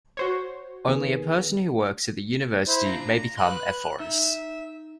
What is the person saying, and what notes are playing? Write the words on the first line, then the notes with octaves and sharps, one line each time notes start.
Only a person who works at the university may become ephorus.
F#4 C5 C#5
D#3 B3 G#4
E4 C5
D4 F4 A#5
B4 B5 C6 F#6
D#4 E5